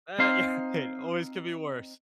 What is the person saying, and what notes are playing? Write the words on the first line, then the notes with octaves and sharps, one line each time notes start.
Uh, yeah. Hey, it always could be worse.
C4 D#4 F5 C6